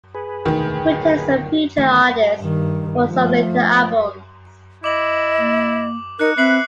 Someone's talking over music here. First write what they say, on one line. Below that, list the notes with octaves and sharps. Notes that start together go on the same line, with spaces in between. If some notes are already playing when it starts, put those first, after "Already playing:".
He returned as a featured artist for some later albums.
G#4 B4
E1 D2 D#3
D1 A#2
A1 D#3 A3
G2 D#3
F3 A3
E4 D#5 D6 F#7
A#3
D#4 A#4 F#6 C#7
C4 B4 E5 F#6 C7 F#7